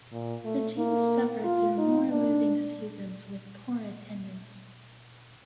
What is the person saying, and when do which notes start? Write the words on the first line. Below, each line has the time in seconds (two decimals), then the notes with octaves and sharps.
The team suffered through more losing seasons with poor attendance.
0.12 A#2
0.45 A3
0.78 A#3
1.44 F4
1.78 D#4
2.10 D4